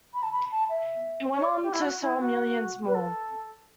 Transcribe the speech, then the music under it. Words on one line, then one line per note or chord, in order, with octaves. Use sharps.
It went on to sell millions more.
B5
A5
B5
A5
E5
C#5
D5
G4
E4
F#4
E4
F#4
B4
A4